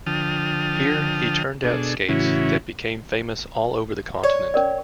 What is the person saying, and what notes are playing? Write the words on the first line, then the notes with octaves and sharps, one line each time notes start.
Here, he turned out skates that became famous all over the continent.
D3 F3 G5 A5 D#6 F6
B2 D4 G#4 A4
A2 C#3 E3 C#4 E4 F#4
C#5 D5
C#4 A#4 D5